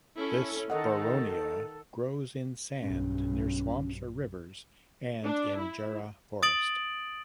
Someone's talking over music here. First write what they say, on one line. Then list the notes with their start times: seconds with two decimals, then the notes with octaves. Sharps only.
This boronia grows in sand near swamps or rivers and in jarrah forest.
0.18 C#4 E4 A4
0.70 D#3 A4 D#5 F#5
2.81 B1 G2 C#4
5.24 D4
5.60 E4
6.43 D#6 A6 D7 F#7